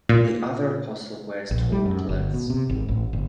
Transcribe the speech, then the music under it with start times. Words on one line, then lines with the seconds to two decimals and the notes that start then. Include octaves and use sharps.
The other apostle wears torn clothes.
0.09 A#2
1.51 A#1
1.72 G3
1.86 F#2
2.09 G1
2.34 B2
2.50 C3
2.69 G#1
2.88 A1
3.13 G1